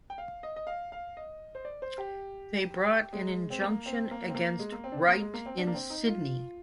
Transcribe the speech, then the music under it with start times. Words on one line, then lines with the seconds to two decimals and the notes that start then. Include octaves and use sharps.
They brought an injunction against Wright in Sydney.
0.10 G5
0.18 F5
0.43 D#5
0.56 D#5
0.67 F5
0.92 F5
1.17 D#5
1.55 C5
1.65 D5
1.82 C5
1.98 G4
3.13 G#3
3.50 C4
3.62 A#3
3.86 C4
4.11 A#3
4.29 C4
4.35 A#3
4.59 G#3
4.72 A#3
4.84 C4
4.92 D4
4.97 C4
5.08 A#3
5.21 G#3
5.34 A#3
5.46 C4
5.58 D4
5.67 A#3
5.74 C4
5.90 D#4
6.07 F4